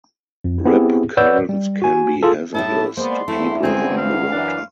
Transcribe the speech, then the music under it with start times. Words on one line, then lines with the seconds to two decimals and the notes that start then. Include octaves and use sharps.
Rip currents can be hazardous to people in the water.
0.44 F2
0.65 B3 C4 E4 G4 G#4
1.17 B4 C#5 D5 F#5 E6 G6
1.49 G3
1.82 F#4 G#5
2.23 F4 G#4 A4
2.54 A2 D#4 E4 G4 A4 A5
2.97 G#3 A#3 B3 C5 D5 C6
3.28 E2 G2 A3 C4 E4
3.63 D3 G#3 C4 C#4 G#5
3.98 F5
4.32 F#2 E3 D4